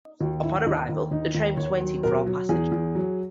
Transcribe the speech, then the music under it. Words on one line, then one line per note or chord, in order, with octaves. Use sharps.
Upon arrival, the train was waiting for all passengers.
D#2 F#4
D#3 E4
D#2 D#4
D#2
D#2 D#4
D#2
D#2 C#5
F#3
B2 A#4
F#3
E2 G#4
E2
F#3